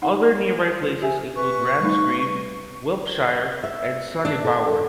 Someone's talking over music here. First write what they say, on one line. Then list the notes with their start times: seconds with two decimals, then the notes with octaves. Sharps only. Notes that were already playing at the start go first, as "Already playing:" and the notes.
Other nearby places include Ramsgreave, Wilpshire and Sunnybower.
0.02 D#4 F#5
1.02 G4 E5 G#5
1.35 B4 C#6
1.80 G3 A3 D#4
3.63 E5
4.25 D4
4.45 A4